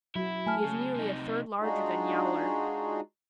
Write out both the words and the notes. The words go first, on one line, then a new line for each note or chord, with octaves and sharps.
He is nearly a third larger than Yowler.
F#3 E4 F#4
A3 G#5 A5 F6
C#3
C3 D#4
G#3 D4 D#4 F4 F#4 G#4